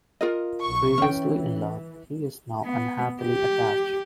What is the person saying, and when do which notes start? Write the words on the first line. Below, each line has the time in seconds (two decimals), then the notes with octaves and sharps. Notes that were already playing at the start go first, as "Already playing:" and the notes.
Previously in love, he is now unhappily attached.
0.21 F4 A#4 D#5
0.62 B1 C#6
0.98 E3 C#4 G5
2.65 B3
3.23 G4